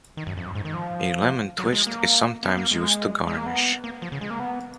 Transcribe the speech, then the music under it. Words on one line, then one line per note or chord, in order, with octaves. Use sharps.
A lemon twist is sometimes used to garnish.
D#3
F#2
F2
F#2
G#2
D#3
F3
F#3
G#3
A#3
B3
A#3
G#3
G#3
A#3
B3
A#3
F3
C#3
G#3
A#3
B3